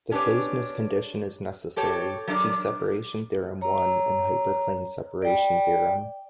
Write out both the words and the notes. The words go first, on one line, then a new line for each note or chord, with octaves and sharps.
The closedness condition is necessary, see Separation theorem I in Hyperplane separation theorem.
C#4 D4 G4 A4 B4 C#5
F#4 G4 A4 C#5
F#3 A3 D4 G4 A#4 D5
C#5 A#5
D5 G5